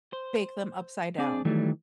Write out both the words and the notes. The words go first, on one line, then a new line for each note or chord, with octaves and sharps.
bake them upside down.
C5
C4 D4 G#4 D5
D#3 E3 F#3 G3 A3